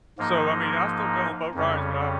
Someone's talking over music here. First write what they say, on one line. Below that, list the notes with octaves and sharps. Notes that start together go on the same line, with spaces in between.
So, I mean, I still go on boat rides, but I,
G#2 F3 A#3 D#4
F2 C#3 G3 C#4